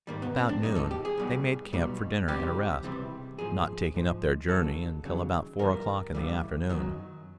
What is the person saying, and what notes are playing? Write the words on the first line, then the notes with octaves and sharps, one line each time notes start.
About noon they made camp for dinner and a rest, not taking up their journey until about four o'clock in the afternoon.
G#2 D#3 G3 A#3
B3
C4
D4
G#2 D#3 G3 D#4
A4
G4
G#4
B1 B2 G3
B1 B2 G3
C#2 C3 E3 G3 G4
C#2 C3 E3 G3
G#2 F3 G#4
G#2 F3
D#2 C#3 F#3 A4
D#2 C#3 F#3
G2 E3 G3 A#4
G2 E3 G3
F#2 D#3 F#3